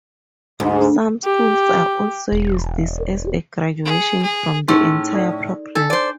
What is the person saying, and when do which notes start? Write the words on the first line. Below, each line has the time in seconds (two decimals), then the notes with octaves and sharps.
Some schools also use this as a graduation from the entire program.
0.60 D2 G#2
1.25 G4
2.32 E1
3.85 G#4
4.23 G#4
4.68 A2 C#4 D#4 G#4 C6
5.13 A4 D5
5.75 D4 A4
5.90 C5 D5